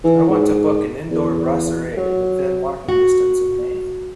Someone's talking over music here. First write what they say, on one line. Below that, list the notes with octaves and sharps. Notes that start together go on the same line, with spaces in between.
I want to book an indoor brasserie within walking distance in Maine.
E3
G#2
E2
F#3
F#4